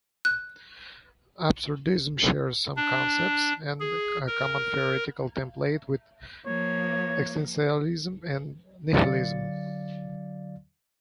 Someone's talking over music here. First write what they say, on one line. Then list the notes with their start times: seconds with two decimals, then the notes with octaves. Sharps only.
Absurdism shares some concepts, and a common theoretical template, with existentialism and nihilism.
0.25 F#6
2.76 D4
3.80 G#4
4.27 A#4
6.46 F3 A#3 C#5
8.93 D3 F#3 D5 F5 A6 C#7